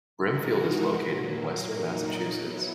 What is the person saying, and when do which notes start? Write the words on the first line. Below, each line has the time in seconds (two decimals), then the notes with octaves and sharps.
Brimfield is located in Western Massachusetts.
0.21 E3 G#3 D#4 F#4 A#4
0.93 A#2 F#3 A#3
1.64 A#2 F#3 A#3 D#4
2.35 F#3 B3 E4